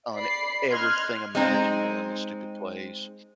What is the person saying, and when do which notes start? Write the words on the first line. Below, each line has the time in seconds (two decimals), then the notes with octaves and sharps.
on everything imaginable in the stupid place.
0.14 D5 B5 C7
0.70 D#5 C6 F6 F#6 G#6
1.35 G#3 C4 D#4